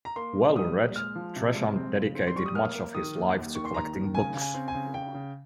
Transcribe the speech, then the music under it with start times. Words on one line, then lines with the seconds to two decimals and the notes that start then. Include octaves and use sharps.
Well-read, Tresham dedicated much of his life to collecting books.
0.05 A#5
0.16 A#3 C6
0.36 G3
0.55 G3 D#6
0.76 A#2
0.96 G#3 F6
1.15 F3
1.36 C3
1.55 G#3
1.76 C4
1.96 C#3
2.15 C4
2.27 C6
2.35 G3 C#6
2.46 D#6
2.55 A#3 F6
2.75 A#3
2.95 D#3 D#6
3.15 D#2
3.35 D#2
3.55 D#3 C#6
3.65 C6
3.74 D#2 A#5
3.94 D#3
4.15 C#3 G#5
4.34 C#3
4.41 G#5
4.54 C4
4.68 G#5
4.74 C#3
4.94 C#3 G5
5.14 C#3